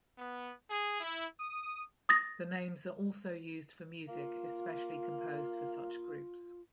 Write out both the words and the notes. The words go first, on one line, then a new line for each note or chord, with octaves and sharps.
The names are also used for music especially composed for such groups.
B3
G#4
E4
D#6
D#6 A6 A#6
A#3 F4